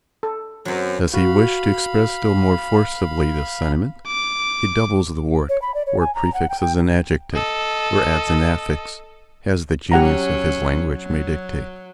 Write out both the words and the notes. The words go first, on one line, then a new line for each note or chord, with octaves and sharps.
Does he wish to express still more forcibly this sentiment, he doubles the word, or prefixes an adjective, or adds an affix, as the genius of his language may dictate.
A4
F#2 F#3 C4
F#4 F5 B5
D6
C#5
B5
D5
C#5
G#5
A#5
F#5
G5
G5
A4 D#5
F#3 C#4 G4 F#5 A#5
F#3